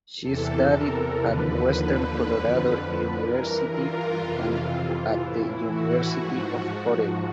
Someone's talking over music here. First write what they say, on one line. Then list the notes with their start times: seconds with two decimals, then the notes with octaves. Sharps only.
She studied at Western Colorado University and at the University of Oregon.
0.22 E2 C3 E3 A4
0.72 A#4
1.21 D#2 D3 F3 B4
1.71 B4
2.20 F2 D3 F3
3.19 G2 E3 A#4
3.69 F4
4.19 F2 C3 E3
5.17 A2 E3 E4
5.67 F#4
6.16 G#2 F3